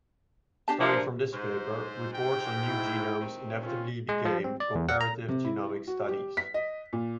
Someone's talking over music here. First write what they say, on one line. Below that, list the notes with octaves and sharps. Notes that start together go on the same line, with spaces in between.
Starting from this paper, reports on new genomes inevitably became comparative-genomic studies.
D4 G4 A5
A#2 F3
G#2 C5
G5
E4
C3 D#3 C4
C#4 F4
G#3
F3
C4
D5
E2
F#5
A#5
C3
E4
F#4
G4
B6
D#5
A#2